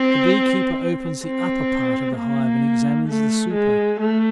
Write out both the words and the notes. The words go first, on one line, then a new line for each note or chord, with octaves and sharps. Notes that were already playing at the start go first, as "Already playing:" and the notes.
The beekeeper opens the upper part of the hive and examines the super.
Already playing: C4
C4
A#3
A3
G#3
A3